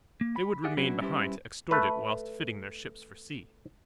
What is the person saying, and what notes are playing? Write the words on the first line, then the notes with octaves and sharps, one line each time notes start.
They would remain behind to extort it whilst fitting their ships for sea.
A#3
B5
G4 G#4 D5 E5 F#5
F#3 C#4 D4 E4 F#4 B4
G3 C#4 E4 G4 B4 C5
A3 B4